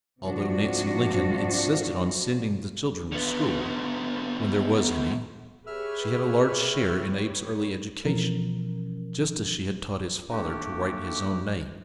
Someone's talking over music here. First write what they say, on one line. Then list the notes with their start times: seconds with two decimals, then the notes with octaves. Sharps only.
Although Nancy Lincoln insisted on sending the children to school, when there was any, she had a large share in Abe's early education, just as she had taught his father to write his own name.
0.22 G#2 C3 F3 D4 F#4
3.12 D3 B3
5.67 G4 G#4 B4 C#5 E5 E6 F6
8.05 B2 E3 F3 C#4 A#4
10.29 A3 A#3 D4 D#4 F#4 G4